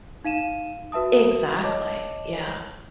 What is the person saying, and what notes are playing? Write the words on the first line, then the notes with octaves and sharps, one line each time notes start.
Exactly, yeah.
D#4 F5 D#7 E7
F#4 B4 E5 A5 D#6
C#5 D#5 A5 D6